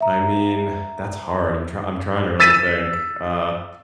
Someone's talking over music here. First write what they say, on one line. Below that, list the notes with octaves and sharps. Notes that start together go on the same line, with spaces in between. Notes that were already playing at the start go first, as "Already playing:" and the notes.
I mean, that's hard. I'm try I'm trying to really think, uh,
E5 A#5
E6 A6 B6 D#7